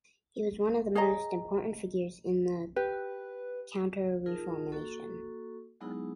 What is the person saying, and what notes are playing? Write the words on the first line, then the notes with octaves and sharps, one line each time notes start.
He was one of the most important figures in the Counter-Reformation.
G#4 C#5 D#5 A#5
G4 B4
D#4 F4 G#4 A#4 A5
A#3 F#4 A4 C#6
F#3 G#3 B3 D#4 E4 G#4